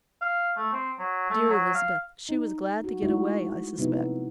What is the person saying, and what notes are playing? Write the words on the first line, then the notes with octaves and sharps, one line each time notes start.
Dear Elizabeth, she was glad to get away, I suspect!
F5
A3
C4
F#3
A3
F#3
F5
D#4
F#4
G#3 A3 D#4 E4 F#4
C3 F3 F#3 B3 D#4 E4